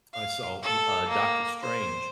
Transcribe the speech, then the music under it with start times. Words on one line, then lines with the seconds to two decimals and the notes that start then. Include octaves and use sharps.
I saw, wh uh, Doctor Strange
0.13 F5
0.62 A4
1.08 A#3
1.61 C5